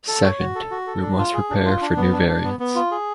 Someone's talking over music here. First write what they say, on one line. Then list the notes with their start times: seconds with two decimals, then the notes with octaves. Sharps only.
Second – we must prepare for new variants.
0.08 A4
0.23 C#5
0.39 F#4
0.55 A4
0.71 F#4
0.87 A4
1.02 D4
1.18 F4
1.34 G#4
1.50 D4
1.65 F4
1.81 D4
1.97 B3
2.13 D4
2.28 D4
2.44 B3
2.60 B3
2.75 F4
2.91 G#4